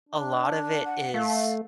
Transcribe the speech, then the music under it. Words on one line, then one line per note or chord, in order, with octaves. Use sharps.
a lot of it is
D4
F#5
A3 F5